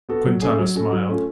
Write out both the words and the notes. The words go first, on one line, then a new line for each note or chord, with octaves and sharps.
Quintana smiled.
B3 F#4 A4
F#3
A3 C#4 G#4
F#3
C#4 F#4 A4
F#3
A3 C#4 F4